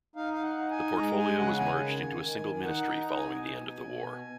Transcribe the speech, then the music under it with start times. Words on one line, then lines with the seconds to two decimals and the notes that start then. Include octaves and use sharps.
The portfolio was merged into a single ministry following the end of the war.
0.16 D#4 F5
0.33 F5
0.43 F#5
0.57 D#4
0.71 G#5
0.97 G#3 A#5
1.18 G#5
1.39 C#3 F#5
1.59 G#5
1.80 D#3
2.21 D#3
2.62 D#4 F#5
2.89 A#5
3.03 D#4
3.11 F#5
3.17 G#5
3.43 B2
3.85 B2